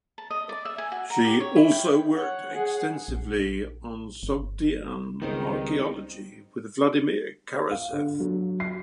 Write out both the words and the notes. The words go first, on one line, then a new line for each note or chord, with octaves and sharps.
She also worked extensively on Sogdian archaeology with Vladimir Karasev.
A5
D#5
D5
E5
G#5
F#4
A#5
G4
C#5
E4
G5
C#5 F#5
G#4
A#1
G1
C#2 D#3 G3 B3 C4 D#4 D#5
F5
D3
F#3
C7